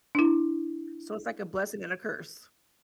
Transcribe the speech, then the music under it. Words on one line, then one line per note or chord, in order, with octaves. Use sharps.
So, it's like a blessing and a curse.
D4 E4